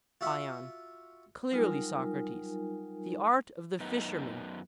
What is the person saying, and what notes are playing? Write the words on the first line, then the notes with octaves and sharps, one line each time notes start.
ION: Clearly, Socrates, the art of the fisherman.
F4 F#4 E5 F#5
F#3 G3 D#4 F4 A#4 G#5
F#2 B3 D#4